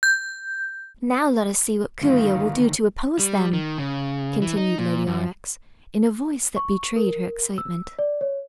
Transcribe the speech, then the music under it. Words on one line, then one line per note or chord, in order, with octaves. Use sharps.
"Now let us see what Coo-ee-oh will do to oppose them," continued Lady Aurex, in a voice that betrayed her excitement.
G6
D2 G2 D#3 E4 F5
G3
D#3
C#3
E3
D#4
A#2
F#2
C#6
A#4
E6
D5
C#5